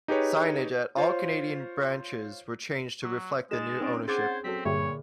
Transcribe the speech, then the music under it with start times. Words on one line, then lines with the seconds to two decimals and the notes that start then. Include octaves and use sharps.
Signage at all Canadian branches were changed to reflect the new ownership.
0.08 D#4 G4 G#4 B4 C#5
0.97 F4 C5 C#5
3.03 F#3
3.51 G#3 D#4 G#4 A6 A#6 E7
3.80 C4 C#4 D#4 D7
4.08 G#4 C5 F#5 D6 G#6 A6
4.44 F#3 C4 C#4 A4 B6
4.65 G2 A#2 D3 G4 G#4 C#5 E5 B5